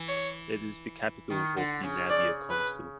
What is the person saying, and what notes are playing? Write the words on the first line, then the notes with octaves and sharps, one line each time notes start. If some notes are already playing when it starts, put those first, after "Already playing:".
It is the capital of the Navia council.
Already playing: E3
C#5
D#3
D3
C#3
D5
B4